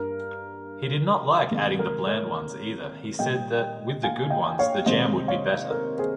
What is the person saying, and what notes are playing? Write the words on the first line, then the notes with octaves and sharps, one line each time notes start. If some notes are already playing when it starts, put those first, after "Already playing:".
He did not like adding the bland ones either: he said that, with the good ones, the jam would be better.
Already playing: G2 G3 A#4
C3 D#3 G#3
A#4
A#4 C#5
A#2 G3 D#5 G5
F5 G#5
D#5 G5
C#5 F5
C3 D#3 G#3 C5 D#5
C#5 F5
A#4
G#4 C5